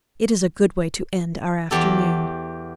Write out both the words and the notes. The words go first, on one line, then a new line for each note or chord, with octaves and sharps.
"It is a good way to end our afternoon."
E2 G4 A4